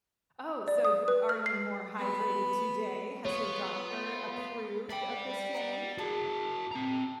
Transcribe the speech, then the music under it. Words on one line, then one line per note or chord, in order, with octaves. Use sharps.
Oh, so d are you more hydrated today? Has your doctor approved of this change?
D5
D#6
B4
F6
C7
B3 B5
B3 F4 C#5
D5 E5 G5 B5 D6
D#5 F#5 A#5
E4 F#4 G#4 A4
C4 A#5